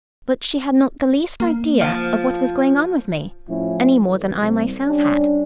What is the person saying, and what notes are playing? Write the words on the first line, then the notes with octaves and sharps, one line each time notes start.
But she had not the least idea of what was going on with me, any more than I myself had.
A#3
F3
A2 F3 C#4 E4
A1
C2
G3 C#4 D4